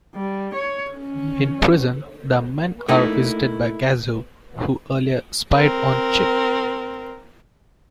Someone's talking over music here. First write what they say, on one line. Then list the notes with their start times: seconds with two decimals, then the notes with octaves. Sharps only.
In prison, the men are visited by Gazoo, who earlier spied on Chip.
0.16 G3
0.55 C#5
0.97 C#4
2.88 A3 A#3 D#4 E4
5.52 C4 A#4